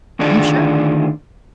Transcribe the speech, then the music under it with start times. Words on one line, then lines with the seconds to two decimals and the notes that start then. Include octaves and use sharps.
No, sure.
0.19 D2 D#3 D4 F4 G#4 D5